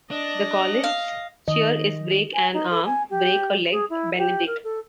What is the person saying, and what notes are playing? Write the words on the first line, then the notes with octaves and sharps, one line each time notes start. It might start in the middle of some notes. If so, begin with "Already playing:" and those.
The college's cheer is Break an arm, break a leg, Benedict!
D4 D#5
F5
D#3 D#5
G#5
D#4
A4
G#5
G4
G#4
E4
G4
A#4
A4